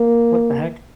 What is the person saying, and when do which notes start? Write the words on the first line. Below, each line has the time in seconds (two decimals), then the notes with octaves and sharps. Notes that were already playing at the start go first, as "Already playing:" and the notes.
What the heck?
Already playing: A#3